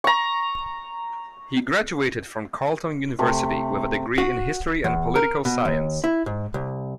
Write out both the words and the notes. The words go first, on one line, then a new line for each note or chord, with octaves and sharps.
He graduated from Carleton University, with a degree in History and Political Science.
A#5 C#6
C3 A3
F#4
E2
A#4
B2
D#2
E4
G#2
C2